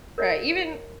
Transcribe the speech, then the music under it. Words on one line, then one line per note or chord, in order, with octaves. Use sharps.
Right, even
A#4 C#5 D#5 E5